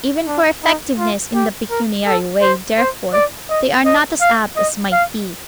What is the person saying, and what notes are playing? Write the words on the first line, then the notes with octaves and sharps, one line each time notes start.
Even for effectiveness in the pecuniary way, therefore, they are not as apt as might be.
D4
D#4
F4
G4
A#4
A4
C5
C5
D5
D#5
D#5
F5
D#5
F5